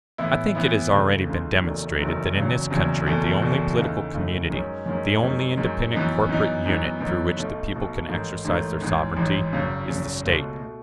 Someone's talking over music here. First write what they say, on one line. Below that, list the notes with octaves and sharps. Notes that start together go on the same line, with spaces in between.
I think it has already been demonstrated that, in this country, the only political community--the only independent corporate unit through which the people can exercise their sovereignty, is the State.
A2 E3 B3 E4
A2 E3 B3 E4
C#2 C#3 E3 A3
C#2 C#3 E3 A3
F#1 E2 D#3 F#3 A3
F#1 E2 D#3 F#3 A3
F#1 E2 C#3 F#3
F#1 E2 C#3 F#3
F#1 E2 B2 A3
F#1 E2 B2 A3
D#2 C#3 E3 A3 D#4
D#2 C#3 E3 A3 D#4
F#2 D#3 G#3 C#4
F#2 D#3 G#3 C#4
F#2 D#3 G#3
F#2 D#3 G#3
F#2 E3 B3 D#4
F#2 E3 B3 D#4
F#2 E3 B3 D#4
F#2 E3 B3 D#4
B1 B2 A3 D#4
B1 B2 A3 D#4
A1 G#2 D#3 A3
A1 G#2 D#3 A3
A1 G#2 E3
A1 G#2 E3
G#1 F#2 C#3
G#1 F#2 C#3
C#2 B2 A3
B2 A3